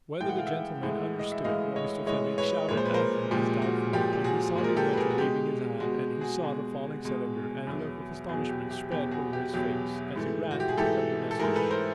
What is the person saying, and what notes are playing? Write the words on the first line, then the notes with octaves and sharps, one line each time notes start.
Whether the gentleman understood what Mr. Fenwick shouted at him is doubtful, but he saw the inventor waving his hand, and he saw the falling cylinder, and a look of astonishment spread over his face, as he ran to pick up the message.
A2 E3 G#3 G5
F#5
F5
E5 F#5
A2 E3 G#3
D#5
E5
A2 E3 G#3 D#5 F5
C#5 D#5
A2 E3 G#3 C#5 D#5
B4 C#5
A#2 F3 G#3 C#5
C5
B4
A#4 C5
A#2 F3 G#3 G4
F#4
A#2 F3 G#3 G4
G4
F#4 G#4
A#2 F3 G#3
A#4
G4 A4
B4
G#4 A#4
F#4
B2 G#3 G4
B2 G#3 F#4
F#4 G#4
B2 G#3
B2 G#3
E2 B2 F#3
E2 B2 F#3 F#4 G#4
G4
G4
E2 B2 F#3 G4
F#4 G#4
G4
E2 B2 F#3 G4
G#2 E3 A3
F#4
G4
G#4
G#2 E3 A3 G4 A4
A4
G#2 E3 A3 G#4 A#4
A4 B4
A#4 C5